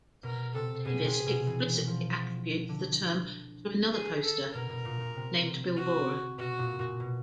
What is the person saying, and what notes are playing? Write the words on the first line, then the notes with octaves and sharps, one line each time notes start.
Davis explicitly attributes the term to another poster named Bill Bohrer.
B2 A#4
C3 A4
B2 G#4
C3
B2
E3
F3
D3
G#4
A4
B2 A#4
B2
A#2
A#2
C3
F#4
B2 F#4
A#2
A#2
B2